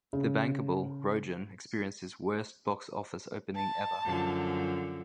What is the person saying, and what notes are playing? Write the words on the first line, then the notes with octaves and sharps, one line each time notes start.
The "bankable" Rogen experienced his "worst box-office opening ever".
C#3
A5
F#2 D3 F3